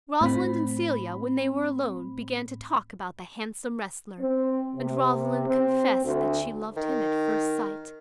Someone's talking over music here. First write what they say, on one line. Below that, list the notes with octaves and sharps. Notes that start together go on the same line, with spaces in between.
Rosalind and Celia, when they were alone, began to talk about the handsome wrestler, and Rosalind confessed that she loved him at first sight.
A2 C4 B5
C4
C3
C4
D2
D#3